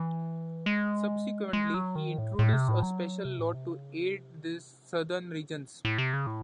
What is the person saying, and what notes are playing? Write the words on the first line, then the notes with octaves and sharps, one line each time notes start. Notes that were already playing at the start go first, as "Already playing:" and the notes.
Subsequently he introduced a special law to aid these southern regions.
Already playing: E3
G#3
G#3
F#3
D#3
A2
A2
C3
A2
F#3
C3
A2
C3
C#3
C3
A2
A2
C3
C#3
A2